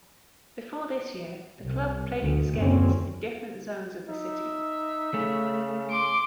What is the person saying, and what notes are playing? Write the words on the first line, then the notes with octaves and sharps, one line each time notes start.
Before this year, the club played its games in different zones of the city.
C2
D2
F#1 D#2 D3 C4 C#4
D#4 E5
C#3 A3
C6 D6 D7